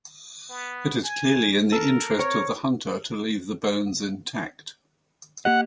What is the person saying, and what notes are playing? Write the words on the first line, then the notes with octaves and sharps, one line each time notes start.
It is clearly in the interest of the hunter to leave the bones intact.
B3
G#5
A4 A#4
C4 C#5
A#3 G4 D#5 F#5